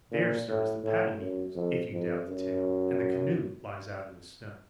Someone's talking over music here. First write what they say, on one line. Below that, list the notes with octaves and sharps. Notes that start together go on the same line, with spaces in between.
There, sir, is the paddle he used, if you doubt the tale, and the canoe lies out in the snow.
A#2
A2
A2
F#2
F2
F2
F#2